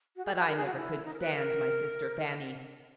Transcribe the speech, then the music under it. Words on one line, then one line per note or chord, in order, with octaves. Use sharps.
But I never could stand my sister Fanny.
F#4
G#4
F#4
A#4
G#4
F#4
E4
D#4
A#4
B4
A#4